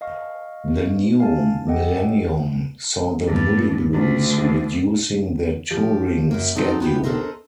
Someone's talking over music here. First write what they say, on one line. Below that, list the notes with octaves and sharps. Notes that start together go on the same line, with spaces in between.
The new millennium saw the Moody Blues reducing their touring schedule.
D#5 F5 C#6
F5 G#5 A5
G4 A4 D#5 F#5 G5
G2
D2
F3 G4 D5
F#2 A#3
F#3 C4 D#4 A4 D5
B3 F#4 G4
D4 A4 A#4 C5 D#5